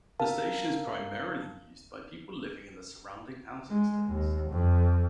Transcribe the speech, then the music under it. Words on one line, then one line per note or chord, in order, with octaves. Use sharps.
The station is primarily used by people living in the surrounding housing estates.
A#4 F5 A5
G#3
D#2
F2